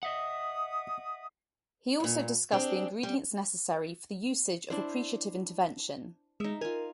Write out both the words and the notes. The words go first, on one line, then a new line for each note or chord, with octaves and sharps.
He also discussed the ingredients necessary for the usage of appreciative intervention.
D#5 E5 F#5 D#6
G2 A#2
C4 D4 G4 G#4
G3
D4 E4 C5
G#3 D#4 E5 E6
F4 A#4 G#5